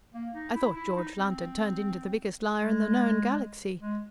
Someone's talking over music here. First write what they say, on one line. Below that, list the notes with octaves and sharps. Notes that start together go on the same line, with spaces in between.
I thought George Lunt had turned into the biggest liar in the known galaxy.
A#3
D#4
E4
E4
D#4
C4
G#3
G#3